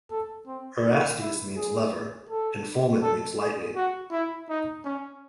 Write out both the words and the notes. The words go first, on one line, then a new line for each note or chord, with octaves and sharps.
Erastes means "lover" and Fulmen means "lightning".
A4
C4
D#4
E4
G#4
A4
A4
G#4
F#4
E4
D#4
C#4